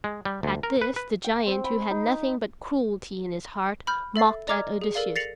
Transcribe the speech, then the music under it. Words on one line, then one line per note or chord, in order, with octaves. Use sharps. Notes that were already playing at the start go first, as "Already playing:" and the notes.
At this the giant, who had nothing but cruelty in his heart, mocked at Odysseus.
G#3
G3
D2
A#4
B4
B4
G5
C4
B5
D#4
B5 F6 G6
A4 E5 A6 C7
D5 D#5 A#5 D6 F6 G#6
G#4
A4 A#4 D5 F5
A6 A#6 C7 C#7 F7 F#7